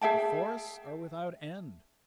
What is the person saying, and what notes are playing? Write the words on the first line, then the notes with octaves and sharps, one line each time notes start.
The forests are without end.
G#4 E5 G5 A5